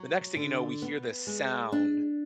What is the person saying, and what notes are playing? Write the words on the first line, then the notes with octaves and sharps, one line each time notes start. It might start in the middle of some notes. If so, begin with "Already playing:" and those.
the next thing you know, we hear this sound
Already playing: F#3
D3
B3
G#3
D4